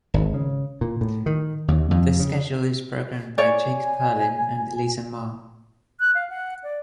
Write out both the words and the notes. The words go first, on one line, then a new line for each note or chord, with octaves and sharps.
The schedule is programmed by Jake Perlin and Aliza Ma.
G#1
C#3
A#2
A2
D#3
D#2
F2
C#3
C#5 D5 G#5
F#6
F5
F#5
D5